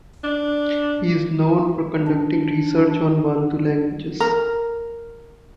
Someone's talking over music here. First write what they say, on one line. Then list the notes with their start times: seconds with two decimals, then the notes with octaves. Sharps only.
He is known for conducting research on Bantu languages.
0.24 D4
2.07 D4
4.20 A#4